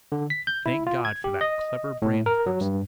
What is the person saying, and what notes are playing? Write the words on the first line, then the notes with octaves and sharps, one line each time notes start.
Thank God for that clever brain of hers!
D3
B6
G6
E4
F4
G#6
G4
D#5
A2
A#4
F#3
G2